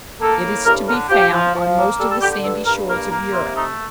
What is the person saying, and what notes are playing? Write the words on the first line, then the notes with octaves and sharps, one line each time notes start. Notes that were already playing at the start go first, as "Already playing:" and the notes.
It is to be found on most of the sandy shores of Europe.
A#3 A4
A2
G2 A#4
D3 A#4
F3 G4
F3
F3
A#3
G3 A4
A4
D3 G4
G4
G2 A4
G2 A#4
A#3 A#4
A#3 A#4
C3 F4
A3 D#4